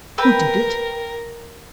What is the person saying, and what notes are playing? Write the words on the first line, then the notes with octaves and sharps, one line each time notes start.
Who did it?
A#4 B4 G5 E6